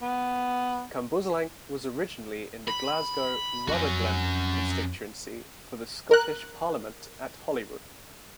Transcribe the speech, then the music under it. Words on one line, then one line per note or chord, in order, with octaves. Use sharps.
Cambuslang was originally in the Glasgow Rutherglen Constituency for the Scottish Parliament at Holyrood.
B3
B5
F2 C#4 F#4
A#4 F#6